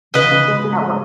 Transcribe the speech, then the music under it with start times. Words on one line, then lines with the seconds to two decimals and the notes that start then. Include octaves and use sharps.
Mhm. At what
0.14 C#3 B4 D#5
0.31 C#3
0.48 G#3
0.64 G#3
0.81 G#3